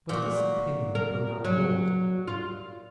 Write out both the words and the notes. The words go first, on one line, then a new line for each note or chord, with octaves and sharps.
But this opinion will not hold.
A#2 F#4
A#4
F#3
F4